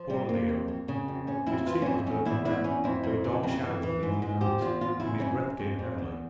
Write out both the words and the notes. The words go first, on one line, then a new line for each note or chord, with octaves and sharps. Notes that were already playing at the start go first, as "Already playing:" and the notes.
Poor Leo! his cheek was burning red, there were dark shadows beneath his eyes, and his breath came heavily.
Already playing: F3
C3 G3
F2 A#3
F2
F2
C#3
F2
F2 C#4
F2 E4
E3 F4
C#4
F2 E4
E2 C#4
E2 E4
E2 E4
E2 C#4
F2 E4
F2
C#3
F2
E3
E3
G#2
G#2
F3 G4
E2 F4
E2 F4
C#3 E4
F2 C#4
F2
F2
F2
E2